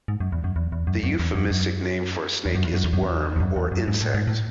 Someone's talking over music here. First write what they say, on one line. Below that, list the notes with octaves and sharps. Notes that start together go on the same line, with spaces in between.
"The euphemistic name for a snake is "worm" or "insect"."
G#2
F#2
E2
F#2
E2
E2
F#2
F#2
E2
F#2
F#2
E2
F#2
E2
F#2
E2
F#2
E2
E2
F#2
E2
F#2
G#2
A2
G#2
A2